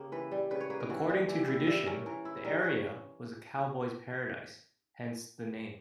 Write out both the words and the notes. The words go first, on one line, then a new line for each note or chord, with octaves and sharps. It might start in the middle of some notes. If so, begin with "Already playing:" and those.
According to tradition, the area was a cowboy's "paradise", hence the name.
Already playing: C#3 A#3 G4
E3 B4
G3
C#3 B4
C#5
A#3 B4
A#4
E3 F#4
G3 G4
E3 G4
G4
E4
G3 E5
C#4 A#4
E3 A#4
E4
G3 A#4
C#4 C#5